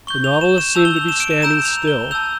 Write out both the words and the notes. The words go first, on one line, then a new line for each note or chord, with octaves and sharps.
The Nautilus seemed to be standing still.
C#6 G6 G7
F7
E7
E7
A5 E6 G6 F7
G7
F7
E7
D7
E7
A#5 E6 G6 E7
F7
G7
A5 E6 G6 F7